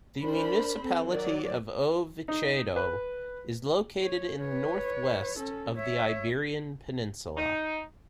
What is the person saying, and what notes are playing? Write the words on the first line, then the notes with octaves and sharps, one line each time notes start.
The municipality of O Vicedo is located in the northwest of the Iberian Peninsula.
D4 A#4 C5 B5
C4 A4
D#3 F#3 D5
D#4
B4
C#5
B4 C#5
C#4 A4
C#5 E5
D#4